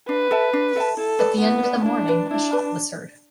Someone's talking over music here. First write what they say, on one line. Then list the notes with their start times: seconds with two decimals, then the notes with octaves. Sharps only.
At the end of the morning, a shot was heard.
0.08 D4 B4
0.31 A4 E5 A5
0.53 D4
0.76 A4 E5 A5
0.97 E4 A4
1.19 B4 D5
1.42 B3 E4
1.63 B4 D5
1.85 D4 E4
2.08 B4 D5
2.30 D4 E4
2.53 B4 D5